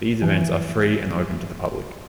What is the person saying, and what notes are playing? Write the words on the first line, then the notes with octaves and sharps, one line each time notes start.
These events are free and open to the public.
E3